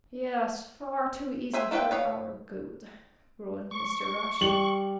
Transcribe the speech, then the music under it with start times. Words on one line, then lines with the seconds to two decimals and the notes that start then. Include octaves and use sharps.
"Yes, far too easy for our good," groaned Mr. Rush.
1.54 C5 E5 G#5
1.71 E4 F4 B4 D5 G5
1.91 B3 C#5 F5
3.71 C#6
4.41 G3 F#7